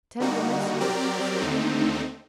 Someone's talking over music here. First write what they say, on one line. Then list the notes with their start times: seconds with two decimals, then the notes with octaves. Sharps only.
Tender messages she sent to each.
0.20 D3 G3 A#3 D#4 F#4
0.80 F#3 C4 G4 A#4 D5
1.40 D#2 D3 A3 C4 D#4